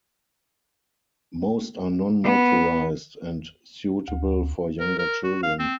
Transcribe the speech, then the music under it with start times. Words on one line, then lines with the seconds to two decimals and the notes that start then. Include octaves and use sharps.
Most are non-motorized and suitable for younger children.
2.23 B3
4.08 D2
4.80 A#4
4.99 A#4
5.24 F#4
5.43 F5
5.59 C4